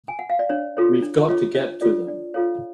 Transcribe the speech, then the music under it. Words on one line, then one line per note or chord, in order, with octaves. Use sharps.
We've got to get to them!
G#5
F#5
F5
D5
D4 C#5
F4 A4 C#5
D4
F4 A4 C#5
D4 C#5
F4 A4 C#5 D5
D4 D5
F4 A4 C#5 F5